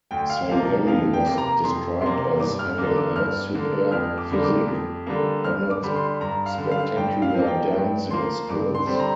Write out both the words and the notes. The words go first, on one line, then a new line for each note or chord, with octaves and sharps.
Sangalli was described as having a "superb physique", but not spectacular dancing skills.
D2 G5
F5
C3 F3 A#3 F5
F2 F5
G5
C3 A#3
A#5
F2 C6
C3 A#3 C6
G2 D6
F6
D3 A#3 D6
D6
G2 F6
D3 A#3
F2 F6
D6
D3 G3 A#3
D6
F2
D3 G3 A#3
G2 F6
D6
D3 G3
C6
G2 A#5
F5
D3 G3
F5
G2 G5
F5
F3 A#3
G5
G2 G5
F3 A#3 C6
G2 D6
C6
D3 G3 C4
A#5